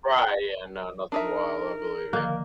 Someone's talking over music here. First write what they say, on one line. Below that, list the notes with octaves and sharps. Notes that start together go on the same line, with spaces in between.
Right, yeah, no, nothing wild, I believe you.
D4 D#4 A#4 E5
D3 D#3 F3 A#3